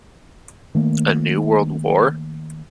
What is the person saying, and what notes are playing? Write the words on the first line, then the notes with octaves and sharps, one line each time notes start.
A New World War?
D#3 A3 A#3